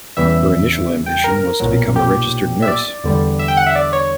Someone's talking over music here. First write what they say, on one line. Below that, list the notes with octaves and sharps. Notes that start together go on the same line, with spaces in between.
Her initial ambition was to become a registered nurse.
E2 C#3 E3 G3 E5
G5
A#4
B1 A#2 F#3
G4
E5
D5
E2 D3 G3
E5
G5
F#5
E5
D5
C#5